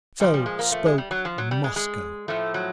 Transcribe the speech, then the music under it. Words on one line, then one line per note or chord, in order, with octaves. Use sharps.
So spoke Moscow....
A#2 F3 G3
G3
G#3
A#3
A3
G#3
G3
F#3
F3
F#3
G3
G#3
G#3
A2 F3 A3
F#3